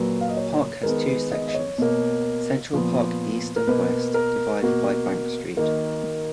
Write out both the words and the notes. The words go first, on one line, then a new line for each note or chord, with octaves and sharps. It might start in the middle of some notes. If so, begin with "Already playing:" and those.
The park has two sections, Central Park East and West divided by Bank Street.
Already playing: A#2 F#3 A#3 B4
F5
D#5
C#5
D#3 G#3 B3 A#4
B4
D#5
D#5
C#5
B2 A#3
A#2 F3 B3
A#4
B2 A#3 B4
A#4
B2 A#3 F#4
D#3 A#3